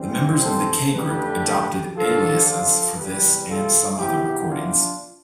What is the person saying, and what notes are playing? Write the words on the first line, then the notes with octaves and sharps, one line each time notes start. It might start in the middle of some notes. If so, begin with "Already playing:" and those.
The members of the K Group adopted aliases for this and some other recordings.
Already playing: F2 E3 G3 C4
A4 C5
F2 D3 A3 G4 B4
G2 D3 F3 F4 A4
F4 A4
E2 C3 G3 G4 B4
F4 A4
E2 C3 E3 B3 E4 G4
D4 F4